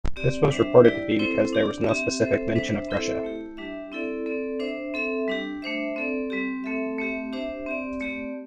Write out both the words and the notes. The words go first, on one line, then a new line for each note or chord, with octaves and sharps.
This was reported to be because there was no specific mention of Russia.
C4 G4 D5
G3 D4 C5 E5
G3 E4 G4 D5
C4 E4 A4 C5
D4 G4 D5
C4 G4 E5
C4 A4 C5 E5
G3 D4 C5 E5
C4 E4 A4 C5 E5
A3 E4 G4
G3 D4 G4 E5
C4 E4 A4 D5
C4 A4 D5
D4 C5 E5
C4 A4 E5
G3 D4 G4
A3 D4 C5 E5
C4 A4 D5
G3 C4 G4
A3 C4 A4 E5
A3 C4 G4 E5
D4 G4 C5 E5
C4 G4 D5
A3 C4 G4 D5